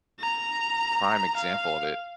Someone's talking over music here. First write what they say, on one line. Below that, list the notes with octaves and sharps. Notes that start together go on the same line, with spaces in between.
prime example of it
A#5
F5